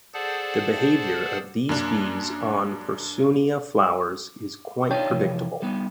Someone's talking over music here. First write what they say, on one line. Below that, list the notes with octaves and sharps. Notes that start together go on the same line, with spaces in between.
The behaviour of these bees on "Persoonia" flowers is quite predictable.
G#4 A4 C5 D5 F#5 A5
F#2 A#3 D4
D4 D#4 F4 C#5 G5
C3 E3 F3
G3 B3 D#4